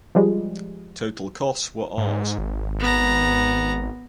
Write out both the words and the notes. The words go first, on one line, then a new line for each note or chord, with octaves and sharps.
Total costs were Rs.
F3 G3 G#3
G#2
G#1
B3 A#5